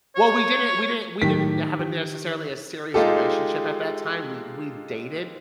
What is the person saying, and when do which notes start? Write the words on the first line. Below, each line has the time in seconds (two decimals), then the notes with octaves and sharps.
Well, we didn't we didn't we didn't have a necessarily a serious relationship at that time, we we dated,
0.16 C#5
1.22 A2 D#3 F#3 G4 B6
1.79 G4
2.94 G#3 D#4 F4 G4 A4